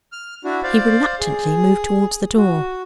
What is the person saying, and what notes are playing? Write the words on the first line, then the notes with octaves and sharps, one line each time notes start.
He reluctantly moved towards the door.
F6
D4 E4 F#4
C5 D5 F5
G#4
F#4